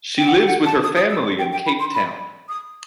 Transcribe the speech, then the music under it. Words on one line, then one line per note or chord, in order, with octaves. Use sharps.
She lives with her family in Cape Town.
G5
F#5
F#5
A5
D#6
D#6
E6
G5
G5
B5
C6
B5
D#6